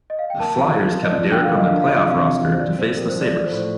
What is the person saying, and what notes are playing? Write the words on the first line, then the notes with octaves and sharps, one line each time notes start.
The Flyers kept Derek on their playoff roster to face the Sabres.
D#5
F5
G5
A#3 A5
F3
F4
F3
D#5
F3 D5
D3 G5
F5
A#3
D#5
D4 F5
F5
F3 D#5
F5
C3
F5
C4
F4
C5
C4 D5
F3 C5
G4 A#4
C5
F3
D5
A3 D5
C5
A2
C5